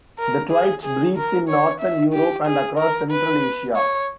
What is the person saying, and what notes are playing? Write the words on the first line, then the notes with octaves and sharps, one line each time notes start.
The twite breeds in northern Europe and across central Asia.
A#4
G#4
G#4
A#4
C#5
E5
G4
G#4
A#4
B4
C#5